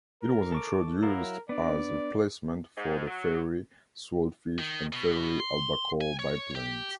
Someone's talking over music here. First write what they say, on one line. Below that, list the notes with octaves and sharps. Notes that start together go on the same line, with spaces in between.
It was introduced as a replacement for the Fairey Swordfish and Fairey Albacore biplanes.
A#4
A4 C#6 D6
F#3 E4 A#4 F5
B3 D4 D5
G#2
F#3
D#3
B2
C6
G#5
C#5
G4